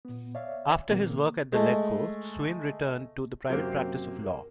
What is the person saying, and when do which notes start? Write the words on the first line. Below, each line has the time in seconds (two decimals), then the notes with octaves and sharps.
After his work at the Legco, Swaine return to the private practice of law.
0.05 A#2 B3
0.35 C#5 D5 E5 F5
0.89 A#2 D#3 A#3 C4
1.52 G#3 A3
3.50 F#2 C3 F#3 A#3 C4 G4
4.23 A#4